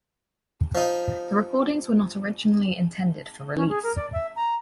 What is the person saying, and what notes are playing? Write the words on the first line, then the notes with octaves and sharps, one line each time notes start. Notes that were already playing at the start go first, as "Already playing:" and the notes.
The recordings were not originally intended for release.
F3 D#4
C#4
G#4
A#4
D5
E5
A#5